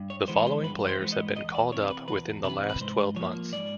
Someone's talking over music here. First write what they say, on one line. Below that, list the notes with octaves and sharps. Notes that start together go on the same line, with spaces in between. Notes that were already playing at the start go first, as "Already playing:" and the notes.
The following players have been called up within the last twelve months.
Already playing: G2
C#5
E3 G#3 B3 C5
C5
G2 B4
C5
E3 G#3 B3
D#5
E2 D#5
D5
C3 E3 C#5
B4
E2 B4
C3 E3 B4
B4
G#2 C5
F3 A#3 C#5
G#2 D5